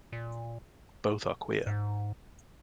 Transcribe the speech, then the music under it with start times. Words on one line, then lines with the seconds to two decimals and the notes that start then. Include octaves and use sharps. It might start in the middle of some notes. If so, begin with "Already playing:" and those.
Both are queer.
0.12 A#2
1.67 G#2